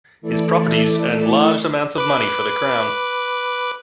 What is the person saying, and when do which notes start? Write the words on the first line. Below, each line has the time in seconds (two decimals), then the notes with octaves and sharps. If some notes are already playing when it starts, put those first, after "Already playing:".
His properties earned large amounts of money for the crown.
0.22 E3 A3 E4 A4 D5
1.98 B4 D6